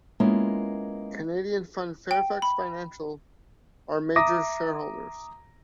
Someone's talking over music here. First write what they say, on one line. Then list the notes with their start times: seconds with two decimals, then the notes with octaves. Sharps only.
Canadian fund Fairfax Financial are major shareholders.
0.20 G#3 A#3 B3 C#4 E4 F4
2.11 G5
2.42 B5
4.16 E5 A#5 D6 D#6 A#6